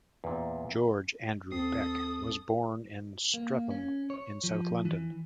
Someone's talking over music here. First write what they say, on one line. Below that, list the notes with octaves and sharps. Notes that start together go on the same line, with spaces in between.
George Andrew Beck was born in Streatham, in south London.
E2 A#2
D#2 C4 A4 D#6 C7
A#3
C#4
C#5
F3
E3